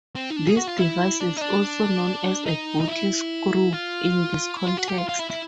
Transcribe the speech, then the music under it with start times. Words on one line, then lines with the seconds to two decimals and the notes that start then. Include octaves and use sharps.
This device is also known as a bottlescrew in this context.
0.15 C4
0.30 D#4
0.36 D4
0.46 G#4
0.57 F#4
0.67 F4
0.78 E4
1.20 D4
1.36 D#4
1.41 D4
2.46 D#4
2.81 D#4
2.88 E4
3.72 F4
4.56 E4
4.67 F4
4.78 F#4
4.88 G4
4.98 F4
5.09 F4
5.19 E4
5.30 E4